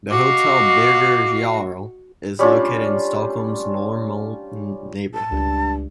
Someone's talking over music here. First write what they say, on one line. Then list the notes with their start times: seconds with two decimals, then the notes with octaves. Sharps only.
The Hotel Birger Jarl is located in Stockholm's Norrmalm neighborhood.
0.11 F#4 D#5 F5 D6
2.39 G3 C#4 D4 F4
5.13 A5
5.32 C#2 G2